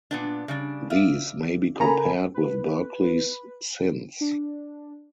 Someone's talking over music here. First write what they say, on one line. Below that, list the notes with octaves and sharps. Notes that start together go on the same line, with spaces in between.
These may be compared with Berkeley's "Sins".
A#2 B3 D4
C#3 G3 D4
D5 E5 F5
C#3 A4 A#4 G#5 A#5 B5
B4
D4